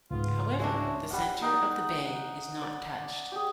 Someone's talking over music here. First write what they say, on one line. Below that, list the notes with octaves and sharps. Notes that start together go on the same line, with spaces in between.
However, the center of the bay is not touched.
C#2 G#2 B3 F4
G#3 C#4 D4 E4 F#4
G3 F#5
D#4 F#5
D5
G4 G#4